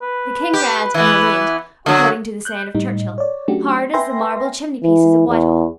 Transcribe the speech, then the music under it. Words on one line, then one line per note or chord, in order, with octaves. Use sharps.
The King read, and remained, according to the saying of Churchill, hard as the marble chimneypieces of Whitehall.
B4
G4
E3 B3
D3 F#3 F#4
F#6 G6
A2 G3 D#4
C#5 D5
F#3 A3 C#4 D4 F#4 G4
B4 E5 G5 G#5 C6 A#6
E3
E2